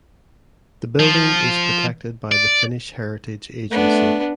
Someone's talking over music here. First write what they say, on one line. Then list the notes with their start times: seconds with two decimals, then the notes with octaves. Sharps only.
The building is protected by the Finnish Heritage Agency.
1.00 F3
2.32 D5
3.71 A3 B3 D4